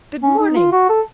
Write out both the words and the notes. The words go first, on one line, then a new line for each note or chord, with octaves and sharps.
'Good morning!
C#4
D#4
F4
F#4
A4